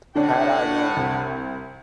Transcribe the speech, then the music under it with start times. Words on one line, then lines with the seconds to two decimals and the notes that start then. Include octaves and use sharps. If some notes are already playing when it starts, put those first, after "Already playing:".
Had I known!
0.15 A2 D3 C#4 D4 F#5
0.97 C2